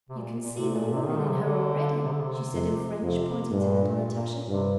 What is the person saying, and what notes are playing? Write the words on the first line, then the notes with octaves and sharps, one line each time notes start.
"You can see the woman in her already," she said in French, pointing to little Natasha.
C3
A#2
A#2
A2 C3
A#2
C3
D#3
D3
C3
D3
C3
D3
C3
F2
F2 C3
G2 A#2
G2 C3